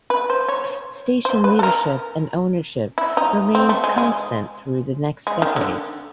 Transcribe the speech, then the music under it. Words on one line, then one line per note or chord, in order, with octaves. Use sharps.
Station leadership and ownership remained constant through the next decades.
B4
C5
C#5
C5
B4
A4
A#4
E4
D#4
C4
A3
G#3
G#3
G#3
D#3
D3